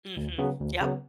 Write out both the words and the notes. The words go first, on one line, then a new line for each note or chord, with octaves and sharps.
Mhm, yep.
D2
C#3 F#3 B3
D2
C#3 F#3 B3